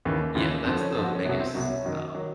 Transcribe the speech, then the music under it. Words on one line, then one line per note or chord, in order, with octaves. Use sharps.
Yeah, that's the biggest, um
D#2 C#3 E3
D#2 C#3 E3 F4
F2 D3 F3 C4
C#4
F2 D3 F3
F#4
C#4
C2 B2 F#3 B3
C4
C2 B2 F#3 C#4
C#4
F#2 D#3 F#3
D#3 F#3